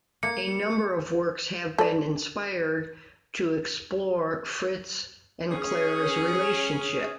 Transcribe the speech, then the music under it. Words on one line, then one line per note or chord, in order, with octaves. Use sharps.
A number of works have been inspired to explore Fritz and Clara's relationship.
A#3 C#7
A4 D5
C#4 G#4